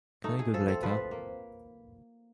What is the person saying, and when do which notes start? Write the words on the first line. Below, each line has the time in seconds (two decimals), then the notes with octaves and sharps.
Can we do it later?
0.24 A3 D#4
0.38 A3 G#4
0.54 F3 A4
0.68 C4 A4
0.83 F3 B4
0.97 F3
1.11 A#3